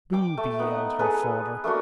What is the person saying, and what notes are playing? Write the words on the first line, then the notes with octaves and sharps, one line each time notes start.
"Booby!" yelled her father.
G5 D6
A3
B3 D#4 F#5
G#4 A4 B4
A3 A#3 D4 F#4